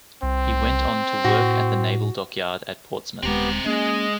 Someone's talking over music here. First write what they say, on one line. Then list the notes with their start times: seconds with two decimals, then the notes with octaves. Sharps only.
He went on to work at the Naval Dockyard at Portsmouth.
0.23 C2 C4
1.24 A2 F#4
3.23 D#1 G#3 B3 C4 G4 A#5
3.66 G#3 A#3 C#4 G#4 D#5